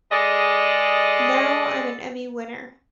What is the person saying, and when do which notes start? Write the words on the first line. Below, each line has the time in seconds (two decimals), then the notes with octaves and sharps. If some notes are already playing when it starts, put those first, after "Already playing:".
Now I'm an Emmy winner.
0.12 G#3 G#4 A4 D5 D#5